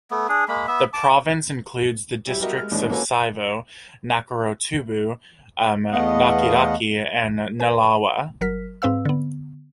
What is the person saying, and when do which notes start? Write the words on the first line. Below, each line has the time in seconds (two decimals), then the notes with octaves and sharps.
The province includes the districts of Saivou, Nakorotubu, Rakiraki, and Nalawa.
0.11 A3 B3
0.28 D4 G#4
0.48 G#3 A#3 B5
0.67 B3 E5
0.93 A5 D6
2.26 F#3 G3 E4 G4
2.40 G3 F#4 G4 A#4 D#5 E5
2.57 G#3 F6
2.71 A1 D#2 G#2 G#3 C#4 D4
2.90 A#3 C#4 F#4 A4 B4 G#5
5.92 E2 A3 B3 D#5 F5 F#5
7.60 B4 G#5
8.41 G1 F#3 A#4 F6 B6
8.82 G#2 C4 B4 F5 E6
9.05 D3 B3